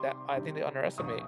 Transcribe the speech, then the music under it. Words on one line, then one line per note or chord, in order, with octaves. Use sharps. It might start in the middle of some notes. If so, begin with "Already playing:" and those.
that, I think they underestimate.
Already playing: C3 D#3 G3 C6 D6
C3 D#3 G3
C2 A#2 F3 A#3 D4 C#6 D#6